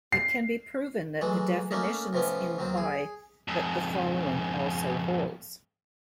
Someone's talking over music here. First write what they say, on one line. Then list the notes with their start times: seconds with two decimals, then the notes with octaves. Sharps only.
It can be proven that the definitions imply that the following also holds.
0.12 C7
1.21 E3 F#3 G#3 A3
1.71 A3 A#3 C#4 D#4
2.13 A2 C3 F3 B3 C#4
2.58 D#2 D#3 F#3 C4
2.77 G#4
3.48 F2 G#2